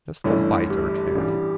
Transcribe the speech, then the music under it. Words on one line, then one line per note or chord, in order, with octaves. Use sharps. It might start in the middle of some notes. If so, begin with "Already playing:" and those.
Just a bite or two.
G1 G2 E3 A3 C#4 E4
G4
A1 G2 E3 G3